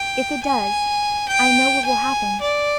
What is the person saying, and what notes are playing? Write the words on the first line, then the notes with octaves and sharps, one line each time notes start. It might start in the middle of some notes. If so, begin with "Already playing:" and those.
If it does, I know what will happen.
Already playing: G5
G#5
G5
G#5
D5